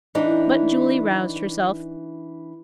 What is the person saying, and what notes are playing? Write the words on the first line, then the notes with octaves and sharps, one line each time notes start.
But Julie roused herself.
E3 D4 D#4